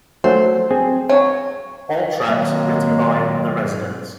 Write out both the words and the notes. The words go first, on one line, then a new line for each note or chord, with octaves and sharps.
All tracks written by The Residents.
F#3 A3 C5
C4 G#4 G#5
F#3 C#5
B2 D#3 F#3 G#3 A#3 C4